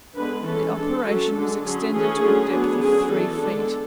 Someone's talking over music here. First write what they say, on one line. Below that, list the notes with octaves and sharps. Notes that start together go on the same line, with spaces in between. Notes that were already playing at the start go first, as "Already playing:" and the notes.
The operation was extended to a depth of three feet.
D3 G#3 B3 B4
E3 G#3 C#4 A4
G#3 D4 A4
F#3 A3 C#4
D3 G#3 D4
D3 F#3 C#4 G#4
E3 A3 C#4 G#4
D3 F#3 A3 C#4
F#3 B3 D4
D3 F#3 C#4 G#4
E3 B3 D4 A4
D3 G#3 B3 D4